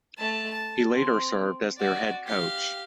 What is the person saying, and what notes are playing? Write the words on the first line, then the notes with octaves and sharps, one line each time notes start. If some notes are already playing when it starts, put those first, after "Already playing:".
He later served as their head coach.
A3 A5
A5
C4
F#4 D5
G4 F5